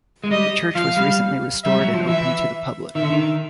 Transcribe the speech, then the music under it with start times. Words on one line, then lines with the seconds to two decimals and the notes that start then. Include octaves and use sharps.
The church was recently restored and opened to the public.
0.24 G#3
0.31 G3 D#5
0.75 F3 F5
0.97 G3
1.64 G3 E5
1.80 F#3
1.93 F3
2.08 E3 E5
2.95 D#3 E5
3.02 D3
3.10 D#3